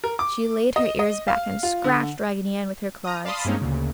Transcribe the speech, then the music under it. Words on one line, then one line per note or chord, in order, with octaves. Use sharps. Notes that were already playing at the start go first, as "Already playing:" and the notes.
She laid her ears back and scratched Raggedy Ann with her claws.
A#4
D6
D#5
D#5
F5
F4
D3
A#5 D#6
D5 F5 A5 B5 C6 D#6
G2 G#3 A#3 C4 C#4 D#4
D2 A#2 C#3